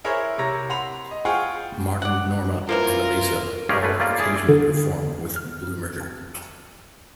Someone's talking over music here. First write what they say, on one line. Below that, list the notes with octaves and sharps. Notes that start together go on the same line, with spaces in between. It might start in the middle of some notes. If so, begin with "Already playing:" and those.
Martin, Norma and Eliza all occasionally perform with Blue Murder.
E4 G#4 A#4 C5 C#5
C3 C#5 A#5 A#6
F#5 B5 C6 F7
D#5
F4 G#4 C5 F#5 G5 C#6
D5 F#5
E3 F3 A#3 F4 A#4
C#4 F4 G4 G#4 A#4 C#5
A3 B4
G3 A#3 F4 D5
E4 G#4 D5
D3
F6